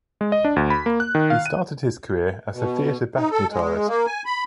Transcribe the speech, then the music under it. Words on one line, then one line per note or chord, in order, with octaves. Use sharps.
He started his career as a theatre backing guitarist.
G#3
D#5
D4
D2
B5
A#3
F#6
D#3
F5
D#7
B2
D#4
A4
G#3
A#3
G#5
B5